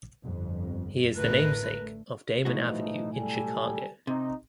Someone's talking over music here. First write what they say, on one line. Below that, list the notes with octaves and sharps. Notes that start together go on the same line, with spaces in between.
He is the namesake of Damen Avenue in Chicago.
G1 F2
A1 D3 A3 A#4 B4
B1 A2 E3 F3 D#4 F#4
G3 A4 G#5
C3 D#4